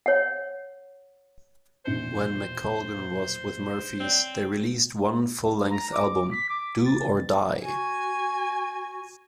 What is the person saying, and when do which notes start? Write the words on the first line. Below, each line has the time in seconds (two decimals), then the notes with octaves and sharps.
While McColgan was with the Murphys, they released one full-length album, "Do or Die".
0.06 C#5 F#5
1.85 E1 A#1 C5 C#7
4.00 C4 C#5 D5
5.70 A#5
5.93 D6
6.31 B6
6.49 D6
6.86 A6
7.62 F#4 G#5